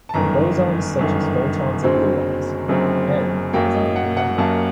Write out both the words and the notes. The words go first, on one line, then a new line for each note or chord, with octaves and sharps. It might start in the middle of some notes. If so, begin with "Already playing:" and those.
For bosons, such as photons and gluons, "n" is an even number.
A5
G1 F#2 D#3 A#5
G1 F#2 D#3
F#1 F#2 D3 F#3 C4 C5
F#1 F#2 D3 F#3 C4
F#2 F#3 A#3 G5
D#5
F#5
F#5
F#2 F#3 A#3 A5